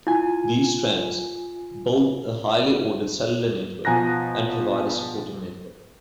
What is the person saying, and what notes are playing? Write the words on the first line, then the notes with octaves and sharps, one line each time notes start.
These strands build a highly ordered cellular network and provide a supporting network.
E4 F4 G#5
B2 F3 G#5 A#5 F#6 A#6